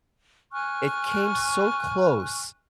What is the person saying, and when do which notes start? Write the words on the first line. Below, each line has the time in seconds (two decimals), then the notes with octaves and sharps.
It came so close
0.52 G#5 C#6 F6 F#6